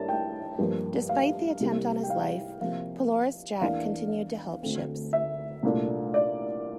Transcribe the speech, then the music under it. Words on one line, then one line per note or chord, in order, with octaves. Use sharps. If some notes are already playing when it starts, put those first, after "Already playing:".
Despite the attempt on his life, Pelorus Jack continued to help ships.
Already playing: A2 G3 A#3 D4 A5
G5
G2 F3 A#3
F5
C2 C3 G3 A#3
G5
F5
C3 F3 A#3 F5
E2 E3 A#3 D4 F5
D2 D3 A3 C4
E5
C2 A#2 A3 D4
D5